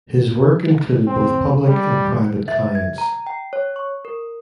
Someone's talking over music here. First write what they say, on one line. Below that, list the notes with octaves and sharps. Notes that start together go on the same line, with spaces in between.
His work included both public and private clients.
C4
G3
E5
G#6
A#5
G5
C#5
C#6
A#4